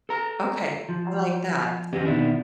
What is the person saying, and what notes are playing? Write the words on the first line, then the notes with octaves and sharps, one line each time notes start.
Okay, I like that.
A4 A#5
F3
F2 D#3 C#4 G4 D#5
B2 D#3 D4 E4